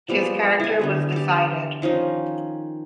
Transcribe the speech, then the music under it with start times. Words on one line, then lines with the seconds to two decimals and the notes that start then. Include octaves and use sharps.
His character was decided.
0.08 F3 G3 B3 G#4
0.60 E4 G#5
0.79 D3 B3 F#4
1.12 G4 A4
1.82 D#3 F3 C#4 D#4